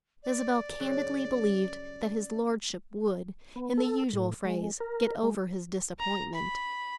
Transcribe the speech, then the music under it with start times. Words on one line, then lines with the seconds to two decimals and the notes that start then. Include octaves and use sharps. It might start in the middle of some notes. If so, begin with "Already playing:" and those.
Isabel candidly believed that his lordship would, in the usual phrase, get over his disappointment.
0.23 D5
0.80 C#3 F#3 G3
3.56 B3
3.78 A4
4.13 A2
4.45 G#3
4.80 A#4
5.23 G#3
5.99 A#5
6.34 B5